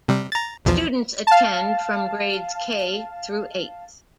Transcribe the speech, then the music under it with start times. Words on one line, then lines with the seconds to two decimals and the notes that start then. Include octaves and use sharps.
Students attend from grades K through Eighth.
0.08 C3 G3
0.32 A#5 A6
0.65 B1 E2 F3
1.27 F5 A5